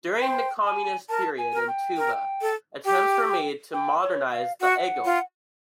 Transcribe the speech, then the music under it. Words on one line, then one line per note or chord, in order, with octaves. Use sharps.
During the communist period in Tuva attempts were made to "modernize" the igil.
C5 G5
G#5
A#4 A5
G#5
A#4
G5
A#4
A4
G4 G5
G5
C#5
F5
F#4 F#5
F4